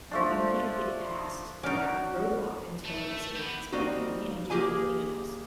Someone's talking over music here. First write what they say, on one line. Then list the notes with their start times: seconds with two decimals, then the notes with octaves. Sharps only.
you you can't get past that roadblock until a decision has been made. You can't do anything else.
0.11 F3 A3 D4
1.63 C#4 D#4 F#4 D5 F6 D7
2.85 A3
3.36 B3 G4
3.72 G3 A#3 C4 D#4 F#4
4.50 A#3 C#4 G4 G#4 G#5